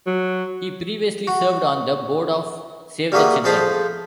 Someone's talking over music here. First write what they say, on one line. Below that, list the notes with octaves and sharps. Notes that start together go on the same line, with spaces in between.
He previously served on the board of Save the Children.
F#3
F#4
G3 A#3 F#4 G#4 B4 E5
F2 F3 G#4 C5 A5 B5